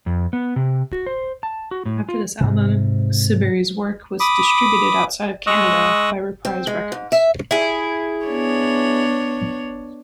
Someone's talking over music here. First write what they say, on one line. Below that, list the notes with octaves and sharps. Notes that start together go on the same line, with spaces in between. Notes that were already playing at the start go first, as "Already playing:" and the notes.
After this album, Siberry's work was distributed outside of Canada by Reprise Records.
F2
B3
C3
F#4
C5
A5
F#4
A2
F4
G#2 C3
B5 D6 D#6
G#3 D#5 C#6 D#6 E6 F#6
C4
G#3
G#2
E5
E4 G#4
B3 D4 C#5